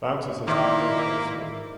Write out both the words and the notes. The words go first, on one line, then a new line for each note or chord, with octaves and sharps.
Bouncers has to be ducked mostly.
D#3 A#3 E4 C5 D5 E5